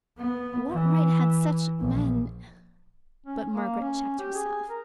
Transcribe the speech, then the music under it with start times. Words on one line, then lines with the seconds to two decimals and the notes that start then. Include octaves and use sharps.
What right had such men--But Margaret checked herself.
0.18 B3
0.69 E3
1.79 A#1
3.26 C#4
3.54 A#3
3.81 C#4
4.19 G4
4.34 G#4
4.69 A#4